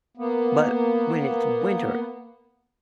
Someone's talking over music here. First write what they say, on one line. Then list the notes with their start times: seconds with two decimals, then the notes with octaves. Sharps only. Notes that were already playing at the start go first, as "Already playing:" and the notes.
but, when it's winter,
0.17 A#3 B3